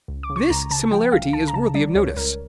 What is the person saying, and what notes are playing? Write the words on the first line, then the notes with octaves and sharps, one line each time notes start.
This similarity is worthy of notice.
C#2
D6
C#3
C#6
C#2 A#5
C#3 A5
F3 G5
C#2 F5
C#2 A5
A#5
C#3 A5
G3 D5
C#2 C#5
C#2 A#4